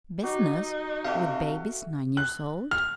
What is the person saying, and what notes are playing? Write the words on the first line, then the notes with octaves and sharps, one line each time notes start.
"Business!--with babies nine years old!"
F#3 D#4 F#4 G4
C3 A3 F#4 F5
F#6
F6